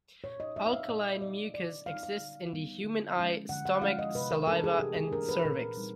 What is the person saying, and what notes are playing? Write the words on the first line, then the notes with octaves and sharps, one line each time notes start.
Alkaline mucus exists in the human eye, stomach, saliva, and cervix.
A#2 C#5
D#5
F#3 B3 D#4 E5
F5
E5
A#2 D#5
F#3 B3 D#4 D5
D3 D5
G3 B3 D#4 F5
F5
D3
G3 B3 D#4
D3
F3 G#3 C#4 E4
D3 F#5
F#5
F3 G#3 C#4 E4 F5
D#5
C3 B4
A#4
E3 A3 D4 A4
G#4
C3 G4
G#4
E3 A3 D4 A#4
B4
A#2 A#4
G3 C4 D#4